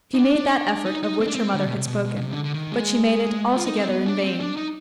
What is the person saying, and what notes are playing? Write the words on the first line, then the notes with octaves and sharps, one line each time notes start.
She made that effort of which her mother had spoken, but she made it altogether in vain.
D#4
D4
D4
D#4
D#4
C4
D4
C4
D3
B2
C3
B2
B2
B2
C3
D3
D3
D#3
G#3
F4
D#4
C4
B3
D4
C4
D4
D#4